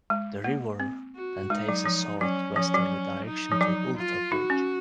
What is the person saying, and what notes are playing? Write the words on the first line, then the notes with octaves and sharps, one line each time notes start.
The river then takes a south-westerly direction to Ulpha Bridge.
G#3
A#3
C4
F#4
G#3 D#4
F#3
F3
F#3 C#4
F3 C#4
F#3
D#4
F3
F#3
F4
D#4 F#4
C#4